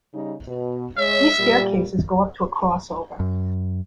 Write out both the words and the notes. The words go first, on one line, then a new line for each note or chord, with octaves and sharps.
These staircases go up to a crossover.
C#3 G3 D#4
B2
G#3 C#5 E5
A#2 G3
F#2